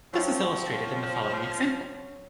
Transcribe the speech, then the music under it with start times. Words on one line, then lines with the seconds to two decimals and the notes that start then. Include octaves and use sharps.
This is illustrated in the following example.
0.13 F3 F#3 C5 F5 G5